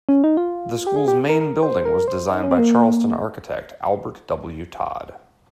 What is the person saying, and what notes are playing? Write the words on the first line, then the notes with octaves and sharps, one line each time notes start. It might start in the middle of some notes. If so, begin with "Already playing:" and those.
The school's main building was designed by Charleston architect Albert W. Todd.
C#4
D#4
F4
G4
G#4
G4
A#4
A#4
C5
A#4
C5
D#4
C#4
C4
A#3